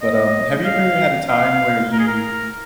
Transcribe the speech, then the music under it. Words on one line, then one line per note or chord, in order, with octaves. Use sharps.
But, um, have you ever had a time where you,
D#5
F5
F5
A#4
G#4
A#4